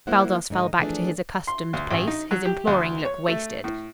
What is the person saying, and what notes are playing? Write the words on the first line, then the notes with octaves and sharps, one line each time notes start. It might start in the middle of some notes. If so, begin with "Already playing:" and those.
Baldos fell back to his accustomed place, his imploring look wasted.
G3 A#3 E4 C5 F#5
G#2 D3 D#4
E3 F3 A3 D4 G#4 D5
C6
D2
A1
D#4
F#3
G4
D2
C#5
A3
A2